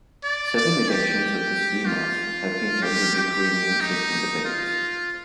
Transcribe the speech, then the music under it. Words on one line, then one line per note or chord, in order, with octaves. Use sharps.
Seven elections of the Seimas have been held in Lithuania since independence.
D5
D5
G4
F4
G4
G4
D#4
F4